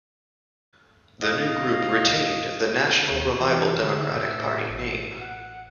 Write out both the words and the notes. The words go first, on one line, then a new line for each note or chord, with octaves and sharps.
The new group retained the National Revival Democratic Party name.
D#5 F5
D#2
E3
D3 E5
A2
A1
F#5